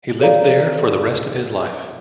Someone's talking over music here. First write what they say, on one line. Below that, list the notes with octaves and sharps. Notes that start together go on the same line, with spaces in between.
He lived there for the rest of his life.
G#4 A4 C#5 D5 F5 A#5